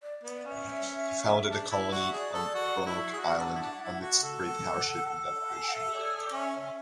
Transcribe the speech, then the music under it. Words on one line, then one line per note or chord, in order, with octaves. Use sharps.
He founded a colony on Roanoke Island amidst great hardship and deprivation.
D5
B3
D5
C#4
E5
E5
D4
E4
F#4 D5
E5
G#4 D5
A4
F#4
E4
G#4
F#4 F#5
D4
E4
D4
E4
F#4
A4
F#5
A4
E5
C#5
D5
C#4 E5
E5